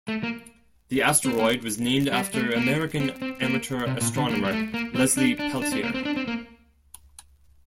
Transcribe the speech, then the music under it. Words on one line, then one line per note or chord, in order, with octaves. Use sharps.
The asteroid was named after American amateur astronomer Leslie Peltier.
A3
A#3
C4
A#3
G3
A3
A#3
C4
C4
A#3
C3
A#2
D3
A#3
G3
A3
A#3
C4
D4
D4
D4
C4
A#3
C4
D4
C4
A#3